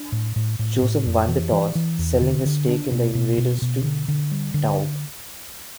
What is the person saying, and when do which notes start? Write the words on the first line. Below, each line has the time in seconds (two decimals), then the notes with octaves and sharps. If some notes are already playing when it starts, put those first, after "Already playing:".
Joseph won the toss, selling his stake in the Invaders to Taube.
Already playing: D4
0.12 A2
0.36 A2
0.59 A2
0.82 A2
1.06 F2
1.29 E3
1.52 E3
1.75 E3
1.99 E2
2.22 D3
2.46 D3
2.69 D4
2.92 B2
3.15 B2
3.38 B2
3.62 B2
3.84 D3
4.08 D3
4.31 G3
4.54 D3